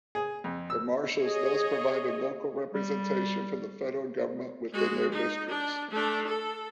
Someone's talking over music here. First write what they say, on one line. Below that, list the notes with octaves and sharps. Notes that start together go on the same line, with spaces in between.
The marshals thus provided local representation for the federal government within their districts.
G#4
F2
E6
G#4 C#5 D#5
G3
G#3 F#4
D#4
D4
A3 D4
A4